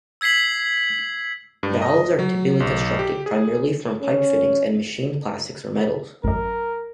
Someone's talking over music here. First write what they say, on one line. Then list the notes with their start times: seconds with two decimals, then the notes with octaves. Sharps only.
Valves are typically constructed primarily from pipe fittings and machined plastics or metals.
0.21 E6 G#6 B6 C7 F#7
1.63 G2
1.82 D#5
2.19 F#3
2.60 B1
2.99 G4
3.26 G#4
4.01 C#4
6.24 A1 F#2 A#4